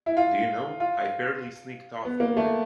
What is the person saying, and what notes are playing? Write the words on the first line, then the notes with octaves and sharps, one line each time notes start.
Do you know, I fairly sneaked off with it.
E4
F4
F4
B3
A#3
A3